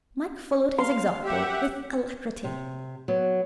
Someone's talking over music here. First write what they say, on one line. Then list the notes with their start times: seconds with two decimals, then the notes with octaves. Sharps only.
Mike followed his example with alacrity.
0.78 F5 C6
1.24 G4 E5 F#5
2.44 C3
3.08 F#3 B3